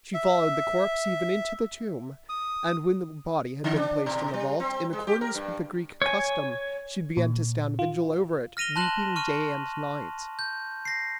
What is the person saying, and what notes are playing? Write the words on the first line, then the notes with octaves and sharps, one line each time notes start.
She followed the corpse, even into the tomb; and when the body had been placed in the vault, in accordance with the Greek custom, she began to stand vigil over it, weeping day and night!
E5
D#6
D3
D4
B2
G3
C4
G#3
G4
A#4
G2
C#5 G#5
A#2
F4
F6 A#6 D#7 F7 G7
A5 C6 F#6 E7 F#7
C#6 F6 D#7
G6
A#6 C7